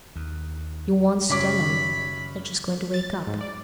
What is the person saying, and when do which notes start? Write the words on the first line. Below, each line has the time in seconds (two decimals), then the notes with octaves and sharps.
You wants to tell 'em they're just going to wake up.
0.16 D#2
1.30 F#2 C#3 C#5 B5 D6
2.94 A6
3.27 G#2
3.41 D5